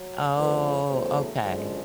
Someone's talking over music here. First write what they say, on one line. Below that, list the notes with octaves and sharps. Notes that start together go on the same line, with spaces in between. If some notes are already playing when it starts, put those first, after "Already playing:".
Oh, okay.
Already playing: F#3
F2 C#3 F3 A3 B4
E2 C#3 F#3 A3 C5
F#2 D3 F3 G#3